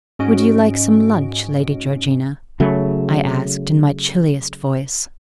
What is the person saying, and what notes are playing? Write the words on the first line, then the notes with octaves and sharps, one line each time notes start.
'Would you like some lunch, Lady Georgina?' I asked, in my chilliest voice.
G#2 C#4 F#4 D#5 D7
C#3 F#3 A3